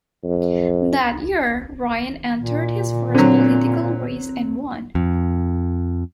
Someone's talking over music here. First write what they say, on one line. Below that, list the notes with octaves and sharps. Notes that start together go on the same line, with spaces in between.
That year, Ryan entered his first political race and won.
F2
A#2
D3 F#3 C4
F2